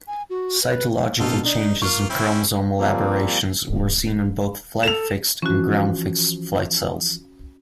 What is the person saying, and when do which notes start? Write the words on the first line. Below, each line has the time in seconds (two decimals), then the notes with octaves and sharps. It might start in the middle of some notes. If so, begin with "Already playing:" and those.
Cytological changes and chromosomal aberrations were seen in both flight-fixed and ground-fixed flight cells.
0.07 G#5
0.30 F#4
0.63 B4
1.20 A#1 B2 D#4 F4 A4
1.44 D4 D#4
1.82 A#3 F4 C#6 F6
2.10 C4 C#4 E4
2.79 F3 G3 A#3 C4
4.83 A4 E7 F7
5.42 E3 F3 C#4 F#4